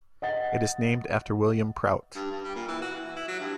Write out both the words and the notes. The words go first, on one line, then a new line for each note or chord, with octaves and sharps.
It is named after William Prout.
D#5 F#5 A6
G2
G2
G3
A#2
E3
F#4
E3
E4
F#3
G2